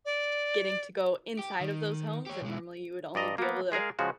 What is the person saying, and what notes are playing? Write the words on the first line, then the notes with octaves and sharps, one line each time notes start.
Getting to go inside of those homes that normally you would only be able to
D5
G4
D#3
G4 C#5
B1 G#3
G2 D5 D#5 A#5
A#3 B3
G#3 G#4 A#4 F5
C#3 F3 G#3 F#4